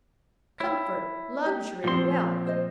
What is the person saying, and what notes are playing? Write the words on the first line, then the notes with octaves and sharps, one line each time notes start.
Comfort, luxury, wealth!
E4 C#5 G5
G4
A#2 F3 C4 C6
C5 D#5